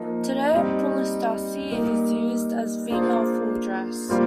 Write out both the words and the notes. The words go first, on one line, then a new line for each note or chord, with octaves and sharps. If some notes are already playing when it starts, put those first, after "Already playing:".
Today, puletasi is used as female full dress.
Already playing: F3 A#3 D#4 A#4
G3 C4 D#4
G3 A#3 D#4 A#4
A#3 D4 F4 G#4 C5
G3 A#3 F4 C5